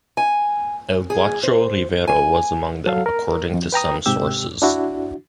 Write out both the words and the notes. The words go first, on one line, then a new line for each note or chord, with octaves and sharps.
El Gaucho Rivero was among them, according to some sources.
G#5
G#4
C5
G#5
F#3 A4 F5
A#4
F2
B4 G5 A#5 D#6
G#2 C3 G4 E6
D4 E4 F#4